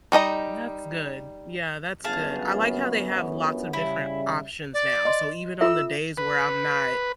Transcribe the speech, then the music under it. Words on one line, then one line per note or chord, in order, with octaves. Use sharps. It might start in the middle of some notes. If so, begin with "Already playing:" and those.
That's good. Yeah, that's good. I like how they have lots of different options now, so even on the days where I'm not,
G3 D#4 D#5 A#5
G1 F#2 B3 G#4 F5 A5
C#3 G3 E4
D5
D#5 C6
F4 A4 E5 E6
B4